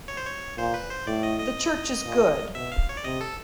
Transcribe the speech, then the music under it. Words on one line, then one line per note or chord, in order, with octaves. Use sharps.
The church is good.
C#5
C5
C#5
A#2 C5
B4
C5
A2 D5
D#5
D#5
A#2
B2 E5
F5
C#5
D5
C3 D#5
A4